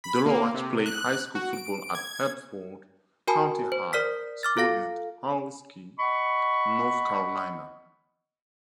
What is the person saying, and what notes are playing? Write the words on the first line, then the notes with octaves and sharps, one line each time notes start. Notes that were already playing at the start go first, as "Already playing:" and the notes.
Deloatch played high school football at Hertford County High School in Ahoskie, North Carolina.
B5
A#3
C3
F#6
F#4
D7
G#6
F#4 A#4 G#5 A5 B5
C5
A#4 D5 F6 B6
D6 F6 A6
F4 A4 F5 A#6
D#5 F#5 B5 C#6